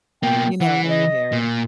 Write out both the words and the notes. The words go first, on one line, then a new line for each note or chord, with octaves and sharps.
You know it when you hear it.
B2 A#3 G5
E3 F#5
D#5
A#2